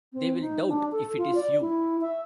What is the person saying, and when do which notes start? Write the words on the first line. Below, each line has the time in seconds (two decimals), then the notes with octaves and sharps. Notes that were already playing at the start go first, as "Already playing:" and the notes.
They will doubt if it is you.
0.13 C4
0.40 D#4
0.68 D4
0.92 A4
1.17 F4
1.35 D5
1.61 E4
2.01 E5